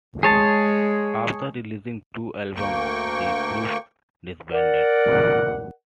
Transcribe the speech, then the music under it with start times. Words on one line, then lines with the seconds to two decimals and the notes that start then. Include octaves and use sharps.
After releasing two albums, the group disbanded.
0.23 G#3 G#4 C#5 A5
2.56 D2 A#3 G5 C#6
4.53 A#4 D5 F#5